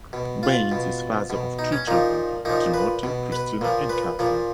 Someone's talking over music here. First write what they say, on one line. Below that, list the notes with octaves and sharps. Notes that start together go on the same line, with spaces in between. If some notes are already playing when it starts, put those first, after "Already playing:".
Baines is father of three children - Timothy, Christina, and Catherine.
B2
F4
B2
B2
D#4
C#4
A#2 F3 D#4
A#2 F3 D#4
B4
B2
B4
A#2 F3
B4
A#2 F3